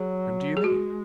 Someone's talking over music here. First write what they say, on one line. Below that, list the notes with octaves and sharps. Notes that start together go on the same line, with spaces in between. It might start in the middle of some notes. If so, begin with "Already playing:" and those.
"Whom do you mean?"
Already playing: F#3 G#4
G#4
G#3 F#4